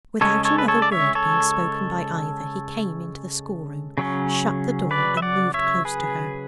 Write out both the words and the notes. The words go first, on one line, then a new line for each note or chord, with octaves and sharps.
Without another word being spoken by either, he came into the schoolroom, shut the door, and moved close to her.
C#3 G#3 C#4 A4 C#5
A4 C#5
B4
A4 C#5
D5
C#5 E5
A4 C#5
C#3 F#3 C#4
B4 D5
E5
D5 F#5
C#5 E5
G#4 B4